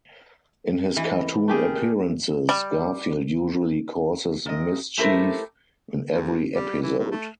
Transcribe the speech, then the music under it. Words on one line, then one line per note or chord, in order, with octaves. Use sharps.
In his cartoon appearances, Garfield usually causes mischief in every episode.
E3 D#5
A3 G4 G#4 A#4
G3
A#2 D#5
A3 E4 G4 A4 A#4 C5
D#2
G3
E3
A2
A3